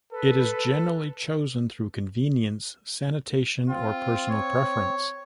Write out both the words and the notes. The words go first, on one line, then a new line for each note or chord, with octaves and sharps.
It is generally chosen through convenience, sanitation, or personal preference.
A4 B4
C4 F4
C#5